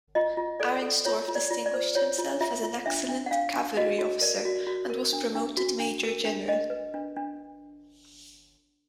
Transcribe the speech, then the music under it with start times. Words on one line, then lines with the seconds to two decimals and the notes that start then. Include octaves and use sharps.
Arenstorff distinguished himself as an excellent cavalry officer and was promoted Major General.
0.15 F4 D#5
0.37 F4
0.60 A4 D5
0.82 A4
1.05 F4 C#5
1.28 F4
1.35 D5
1.51 F4
1.66 D5
1.74 C5
1.95 F4 C#5
2.18 F4
2.41 F4 E5
2.63 F4
2.86 D4 E5
3.09 D4
3.26 F#5
3.31 D4 F5
3.54 D4
3.77 F#4 D#5
3.99 F#4
4.21 A#4 D5
4.45 F#4
4.67 F#4
4.90 A#4
5.13 D4
5.35 D4
5.57 F#4
5.80 D4
6.03 A#4
6.25 D4
6.48 D4 D#5
6.70 B4
6.94 D4
7.16 D4